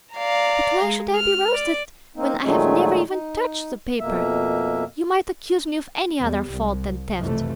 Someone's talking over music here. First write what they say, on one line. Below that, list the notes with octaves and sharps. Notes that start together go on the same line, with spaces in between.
"But why should I be roasted when I have never even TOUCHED the paper? You might accuse me of any other fault than theft."
D5 F5 A#5
G#3
F6
D5
A#3 C4 D#4
A#2 D#3 F3 F#3 G#3 A3
D#4
F2 B2 A#3 E5
E2 G3
C2
F#1 F2 C3 E3 A3